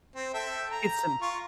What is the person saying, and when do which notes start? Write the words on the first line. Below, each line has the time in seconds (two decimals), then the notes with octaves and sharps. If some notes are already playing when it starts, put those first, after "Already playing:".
It's m
0.15 C4
0.34 A4 E5 G5
0.71 A#5
1.21 F4 C#6